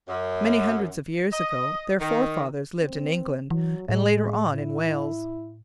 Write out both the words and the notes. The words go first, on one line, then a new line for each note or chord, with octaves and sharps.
Many hundreds of years ago their forefathers lived in England and later on in Wales.
F#2
D#5
D#3
C4
E3 F#3
A2 G#3
E4